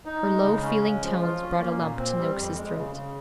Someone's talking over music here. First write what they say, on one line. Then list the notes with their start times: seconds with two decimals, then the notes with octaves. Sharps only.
Her low, feeling tones brought a lump to Noakes's throat.
0.05 D#4
0.25 G#3
0.44 C#3
0.63 C#4
0.82 G#3
1.02 F3
1.21 F4
1.41 C#4
1.59 A#3
1.78 A#2
1.98 C4
2.18 G3
2.37 F2
2.57 G#3
2.76 C#3
2.96 C#3